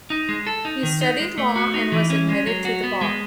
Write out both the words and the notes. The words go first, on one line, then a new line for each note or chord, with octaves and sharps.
He studied law and was admitted to the bar.
D#4
G#3
A4
D#4
D#3
D#4
G#3
A3
F#4
D#4
E3
C#4
G#3
F#3
F#4
B3
G#3